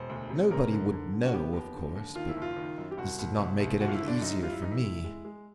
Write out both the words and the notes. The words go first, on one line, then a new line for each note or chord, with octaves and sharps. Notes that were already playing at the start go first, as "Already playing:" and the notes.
Nobody would know, of course, but this did not make it any easier for me.
Already playing: E1 C5
D2
C3
A1 A#4
D3
D3
D3
F#4
B3 G4
D#2
D3
D#2
D#3 F4
E4
F#1
F4
D#3
F#2
G4
C2 F#4
C2
C2
C2
F#1 F#4
F4
E4
D3
D4
F#2 D#4
G3 F4
E4
E3 D#4
E4
D2
G#3
G#3